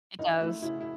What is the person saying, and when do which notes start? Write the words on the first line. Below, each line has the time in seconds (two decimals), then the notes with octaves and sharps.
It does.
0.19 D2 D#4
0.41 A3 E4
0.62 C#3 E4
0.81 E4